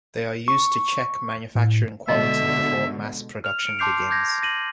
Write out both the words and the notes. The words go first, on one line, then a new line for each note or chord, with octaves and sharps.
They are used to check manufacturing quality before mass production begins.
C#6
A2
B2 D3 G#3 D#5 E5
F6 F7
C#7 D7
A5 C6 D6 G6 C7 F7
D6 G6 G#6 A#6
A#6 D#7 F#7